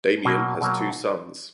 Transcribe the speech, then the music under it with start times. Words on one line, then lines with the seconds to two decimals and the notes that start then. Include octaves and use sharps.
Damien has two sons.
0.25 B2 F#3 A#3
0.61 B2 F#3 A#3